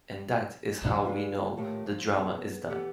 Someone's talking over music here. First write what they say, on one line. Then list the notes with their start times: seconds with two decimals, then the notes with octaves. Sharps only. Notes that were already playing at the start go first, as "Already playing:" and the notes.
And that is how we know the Drama is done.
0.84 D3 F3 F#3 D4 D#4
1.05 D3 G3 G#3 F4 G4 B4
1.57 A2 D#3 A3 F4 G4 A5
1.86 F3
2.18 B3 G#4 A5
2.70 E3 B3 G4 A4